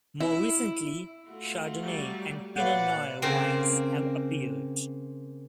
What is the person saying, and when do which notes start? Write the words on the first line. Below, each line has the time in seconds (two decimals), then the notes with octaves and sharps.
More recently, Chardonnay and Pinot noir wines have appeared.
0.20 E4
1.29 A3 F4 F#4
1.79 F#3 G3
2.56 A#2 F#4 A4 B4 C#5 D5 F5 F#5
3.22 C#3 A#3 C4